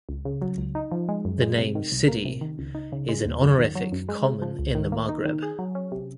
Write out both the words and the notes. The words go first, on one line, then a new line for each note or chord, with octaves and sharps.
The name "Sidi" is an honorific common in the Maghreb.
C#2
C#3
F#3
C#2
D#4
F3
G#3
F#2
G#3
C3
D#3
C2
A#3
C3
D#3
C#2
D#4
C#3
G#3
D#2
F#2
D#3
F#3
F#2
G#3
C#3
F3
C#2
D#3
A#3
D#4
D#3
G#4
F#3
C#4
C3